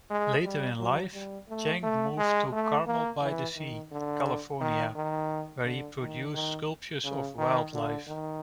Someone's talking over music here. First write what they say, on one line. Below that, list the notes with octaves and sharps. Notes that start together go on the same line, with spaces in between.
Later in life, Chang moved to Carmel-by-the-Sea, California, where he produced sculptures of wildlife.
G#3
G3
F#3
G3
A3
A3
G#3
A3
A#3
E3
D#3
D3
D#3
D#3
D3
D#3
D#3
C#3
D#3
D3
D#3